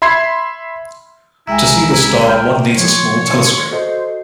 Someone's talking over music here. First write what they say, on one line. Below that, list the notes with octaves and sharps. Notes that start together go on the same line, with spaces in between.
To see the star one needs a small telescope.
E5 B5 C6 G#6 C7
C2 G#3 E4 E5 G5 G#5 A#5
G5 A#5 F6 G6
F3 C#5 C6
F#4 A4 C5 D#5